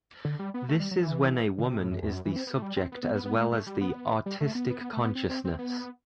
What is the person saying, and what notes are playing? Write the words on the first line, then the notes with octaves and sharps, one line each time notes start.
This is when a women is the subject as well as the "artistic consciousness".
D3
G3
B3
A3
G3
F#3
E3
D3
C3
A2
F#2
E2
F#2
E3
C4
B3
A3
G3
C4
B3
B3
B3
B3
A3
A3
G3
B3
G3
A3
B3
B3
B3
A3
B3
C4
C4
C4
B3